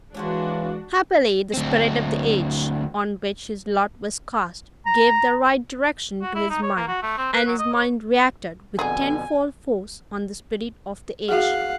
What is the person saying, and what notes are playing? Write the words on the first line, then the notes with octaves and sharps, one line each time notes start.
Happily the spirit of the age on which his lot was cast, gave the right direction to his mind; and his mind reacted with tenfold force on the spirit of the age.
E3 F3 G#3 A#3 C#4 D4 F#4
D2 C4
A#5
F#4
E4
D#4
C#5
A#3
F#4
A3
C4
B4
F#3
D#5
C#5
F2 B2 D3 F#3 G3 G#4 G#5
F#4 G#4 F5 F#5